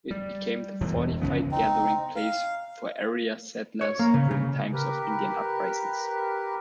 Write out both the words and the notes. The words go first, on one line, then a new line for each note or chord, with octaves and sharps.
It became the fortified gathering place for area settlers during times of Indian uprisings.
G3
E1 E2 B2
F1 F2 C#3 B3
C4 D#4
F5
C#5
A#3
C#3
C#3
G4 A#4 B4